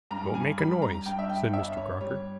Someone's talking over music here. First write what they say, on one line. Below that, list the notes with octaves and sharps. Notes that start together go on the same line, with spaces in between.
"Don't make a noise," said Mr. Crocker.
G2 A#5
G#5
G3 B5
A#5
G2 G5
E5
G5
G1 E5
C#5
G3 C#5